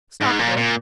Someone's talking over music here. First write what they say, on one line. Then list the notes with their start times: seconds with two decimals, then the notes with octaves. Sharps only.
'Stop a bit.
0.21 G#2
0.39 A#2
0.57 A#2